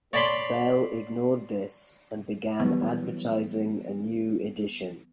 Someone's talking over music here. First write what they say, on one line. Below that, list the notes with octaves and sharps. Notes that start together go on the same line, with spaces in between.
Bell ignored this and began advertising a "new edition".
C#5 D5 A5 B5 C6
E3 F#3 G3 B3